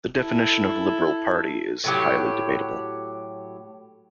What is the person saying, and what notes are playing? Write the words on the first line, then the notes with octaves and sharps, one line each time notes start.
The definition of liberal party is highly debatable.
E4 A4
A2 F#3 G4